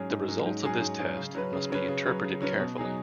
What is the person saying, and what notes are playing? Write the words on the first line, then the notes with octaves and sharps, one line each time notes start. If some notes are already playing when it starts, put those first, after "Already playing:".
The results of this test must be interpreted carefully.
Already playing: G#2 F#3 C#4 G#4
G#2
F#3 C#4 G#4
G#2
F#3 C#4 G#4
G#2
F#3 C#4 G#4
C#3
F#3 C#4 B4
C#3
F#3 C#4 B4
C#3
F#3 C#4 B4
C#3
F#3 C#4 B4
B2
F#3 D#4 G#4